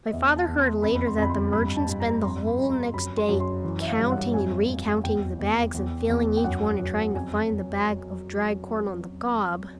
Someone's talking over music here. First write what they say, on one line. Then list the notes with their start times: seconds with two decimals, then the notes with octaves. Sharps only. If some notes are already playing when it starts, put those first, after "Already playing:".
My father heard later that the merchant spent the whole next day counting and recounting the bags and feeling each one trying to find the bag of dried corn on the cob.
0.07 D#5
0.13 E2 E5
0.36 A5
0.48 E2
0.60 C6
0.82 F2 B5
0.95 B5
1.07 C6
1.18 F2 B5
1.30 C6
1.53 G2 B5
1.77 A5
1.88 G2 A5
2.00 A#5
2.23 F2 C6
2.47 B5
2.58 F2 B5
2.70 A#5
2.93 F#2 B5
3.18 C6
3.29 F#2
3.40 C6
3.64 E3
3.82 E5
3.87 F5
3.99 G2
4.11 F#5
4.34 F2 G#5
4.69 F2
5.04 E2 G5
5.39 E2
5.74 E2
6.09 E2
6.37 G5
6.44 F#2 F#5
6.80 F#2
7.15 F2 G#5